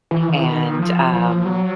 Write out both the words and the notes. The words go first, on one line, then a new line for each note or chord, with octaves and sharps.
and, um,
E3
D#3
E3
D#3
F3
F3
F#3